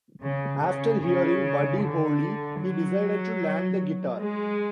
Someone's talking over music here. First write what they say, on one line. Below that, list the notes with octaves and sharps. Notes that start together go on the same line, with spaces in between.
After hearing Buddy Holly, he decided to learn the guitar.
C#3
C#3
C#3
D3
F#3
G#3